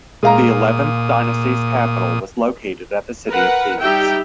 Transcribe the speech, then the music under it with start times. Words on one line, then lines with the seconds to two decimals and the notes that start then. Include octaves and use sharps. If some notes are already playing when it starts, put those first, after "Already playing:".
The Eleventh Dynasty's capital was located at the city of Thebes.
0.23 A#2 G#3 F5 A#5 D#6
3.28 A#4 B4 F#5
3.81 G3 D#4 G4 E5 G5